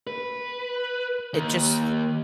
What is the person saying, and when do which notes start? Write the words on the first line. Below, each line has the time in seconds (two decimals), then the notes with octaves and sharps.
it just
0.07 B4
1.34 D#2